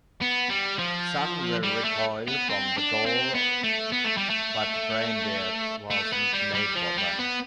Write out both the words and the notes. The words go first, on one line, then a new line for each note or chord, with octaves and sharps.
Some will recoil from the gore, but "Braindead" wasn't made for them.
B3
G3
F3
G3
A3
B3
C4
D4
C4
B3
A3
B3
A3
G3
A3
A3
B3
G3
G3
F3
G3
B3